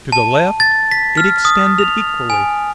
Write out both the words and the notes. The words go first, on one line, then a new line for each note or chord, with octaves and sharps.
To the left, it extended equally.
A5
A6
B6
F6
D#6
F7
G#5